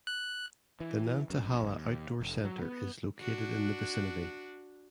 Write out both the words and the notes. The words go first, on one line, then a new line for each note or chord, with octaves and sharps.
The Nantahala Outdoor Center is located in the vicinity.
F#6
E3
F#2
A#1
F#1
D#2
F1
F#3
B3
D4 F#4